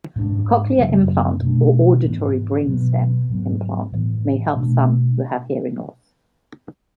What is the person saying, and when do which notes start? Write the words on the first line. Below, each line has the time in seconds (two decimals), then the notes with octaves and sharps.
A cochlear implant or auditory brainstem implant may help some who have hearing loss.
0.16 G#2 G#3 D4
0.78 F#2 C#3 F#3
1.41 B2 A3 D4
2.04 G#2 E3 B3
2.67 B2 F#3 B3
3.29 G#2 F#3 B3
3.92 A2 E3 B3
4.55 B2 A3 D4